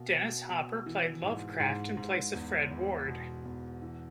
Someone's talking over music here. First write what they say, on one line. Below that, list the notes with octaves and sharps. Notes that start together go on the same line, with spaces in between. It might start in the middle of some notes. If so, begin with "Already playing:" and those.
Dennis Hopper played Lovecraft in place of Fred Ward.
Already playing: B2 A#3
B2
B2
E3
G#2
G#2
G#2
E2
E2
B2
E2
E3